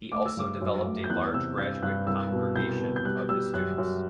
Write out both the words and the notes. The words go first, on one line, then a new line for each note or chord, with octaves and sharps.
He also developed a large graduate congregation of his students.
A3 D6
E6
G2 D6
F#2
A3
G6
E2 F#6
C3 E6
G2 G6
G2 F#6
C2 E6
B2
C2 G6
B2
G6
G3 F#6
G3 E6
F#2 F#6
F#2